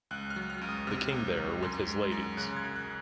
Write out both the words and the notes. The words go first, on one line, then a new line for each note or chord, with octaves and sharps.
The King there with his ladies.
C#2 F#6
F6
F#3
F6
C#2
D#6
C3 F6
C#2
F#3
F#2
G#3
F#2
C#3 F#6
G#6
F#2
F#6